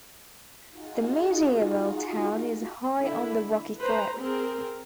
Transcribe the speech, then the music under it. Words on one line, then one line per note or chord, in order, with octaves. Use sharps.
The medieval town is high on the rocky cliff.
D#4 F4 F#4 G#4
D3 E4
B4 C5 A#5
C4 G#4 A#4